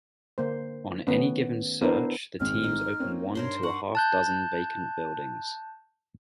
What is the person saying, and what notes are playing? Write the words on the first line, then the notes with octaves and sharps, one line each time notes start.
On any given search the teams open one to a half-dozen vacant buildings.
D3 A#3 C5
D#3 A3 B3 C#4
B3 D4 E4 A#4 C5
G#1 G#3 C4 F6
D#4
A#3 C4 C#4
G2 A#4 C5 C#5 C6
F#5 C#6
A5 F#6 G6